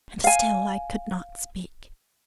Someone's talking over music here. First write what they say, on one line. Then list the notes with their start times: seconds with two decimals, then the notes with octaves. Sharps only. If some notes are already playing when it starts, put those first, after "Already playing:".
And still I could not speak.
0.24 F5 G#5